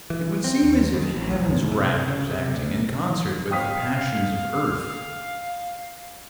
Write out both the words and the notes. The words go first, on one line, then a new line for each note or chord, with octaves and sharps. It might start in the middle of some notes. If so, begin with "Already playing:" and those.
It would seem as if Heaven's wrath was acting in concert with the passions of Earth!
E3
C4
D#2
F2
A1
C2
F#2
C3
C#3
C3
D2
F5 G5 D#6 B6